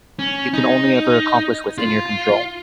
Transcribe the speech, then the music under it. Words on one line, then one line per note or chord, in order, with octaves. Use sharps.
You can only ever accomplish what's in your control.
C#4
D#4
F4